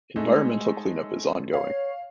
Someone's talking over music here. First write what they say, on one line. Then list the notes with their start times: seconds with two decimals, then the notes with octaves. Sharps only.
Environmental cleanup is ongoing.
0.16 G#3 A3 D#4
1.53 C#5 F5